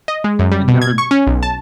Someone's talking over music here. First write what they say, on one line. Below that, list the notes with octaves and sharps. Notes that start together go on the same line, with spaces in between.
It never
D#5
G#3
F#2
G3
B2
G#6
C#6
C#4
B1
A5